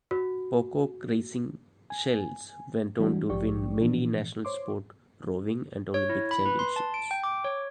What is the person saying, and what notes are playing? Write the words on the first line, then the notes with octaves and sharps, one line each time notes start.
Pocock Racing Shells went on to win many national sport rowing and Olympic championships.
F#4
G#5
E3 G3 G#3 D4 F#4
A#1 G#2 F3 G4 D5 C#6
A#2 E3 F3 D4
C5 C#5 C6 D6
C#5
E4
B5
B4
C6
A5
D7
G5
D6
C#5